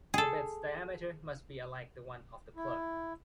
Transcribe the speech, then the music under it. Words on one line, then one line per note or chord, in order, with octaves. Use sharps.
The bit’s diameter must be alike the one of the plug.
G#4 A4
E4